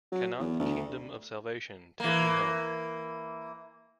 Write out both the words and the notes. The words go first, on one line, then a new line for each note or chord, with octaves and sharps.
Cannot the kingdom of salvation take me home?
F#3
E2
D2
E3 A#3